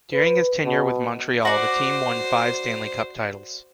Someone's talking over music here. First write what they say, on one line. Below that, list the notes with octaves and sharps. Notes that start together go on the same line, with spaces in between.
During his tenure with Montreal the team won five Stanley Cup titles.
B4
B2
F#4 C5 D5